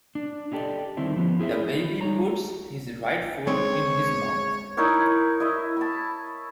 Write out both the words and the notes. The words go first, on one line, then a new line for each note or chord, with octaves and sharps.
The baby puts his right foot in his mouth.
D4
D#4 E4 G4 A4 D5 D#5
D#3 G3 C4 D#4 E4
F3 B3 C#4
E4 G#4 C5 E5
G3 D#4 C#5 A#5
G#3 C4 D#4 C#5
D#4 E4 A#4 C#5
E4 D#5 E5
A5 B5